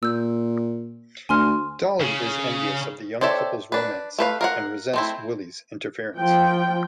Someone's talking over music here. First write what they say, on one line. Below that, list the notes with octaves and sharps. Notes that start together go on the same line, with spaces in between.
Dolly is envious of the young couple's romance and resents Willy's interference.
A#2 E6 G6
D2 G#5 C6 F6
C#3
C4 A4 C#5 D5 E5
D4 B4
A3 B4 F5
A#4 F5 F#5
A3 C4 E4
F3 G5